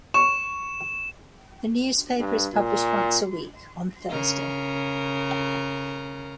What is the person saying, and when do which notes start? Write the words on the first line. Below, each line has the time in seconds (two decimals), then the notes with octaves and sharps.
The newspaper is published once a week on Thursday.
0.14 C#6 E7
2.19 G2
2.53 A#2
4.10 C#3 A#4